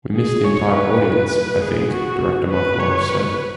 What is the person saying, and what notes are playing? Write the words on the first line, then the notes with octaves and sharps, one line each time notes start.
We missed the entire audience, I think, Director Mark Morris said.
G#4
C#5
B4
G#4
F#4
B4
C#5
B4